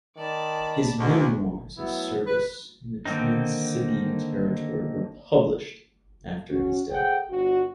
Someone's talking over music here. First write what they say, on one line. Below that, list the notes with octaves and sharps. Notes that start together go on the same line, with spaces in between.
His memoirs of service in the Transcaspian territory were published after his death.
D#3 D5 A5 B5
D2 G#2
A2 F#3 B3 E4
B4
D3 D#3 A#3 C4 D#4
C#4 F#4
G#4 A4 C5 F#5 G5
G1 F#4